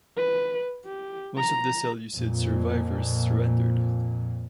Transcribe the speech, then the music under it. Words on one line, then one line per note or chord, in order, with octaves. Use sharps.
Most of the Seleucid survivors surrendered.
B4
G4
A#5
F2 A#2